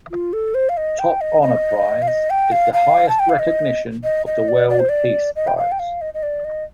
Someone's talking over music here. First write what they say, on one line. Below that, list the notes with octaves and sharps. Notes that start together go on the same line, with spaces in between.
"Top Honor Prize" is the highest recognition of the World Peace Prize.
F4
A4
C5
F5
D#5
G5
D#5
D#5
F5
D#5
G5
F5
F5
A5
G5
F5
D#5
D#5
D#5
D5
D5
C5
D5
D#5
G5
F5
G5
F5
D#5
D#5
D5
D#5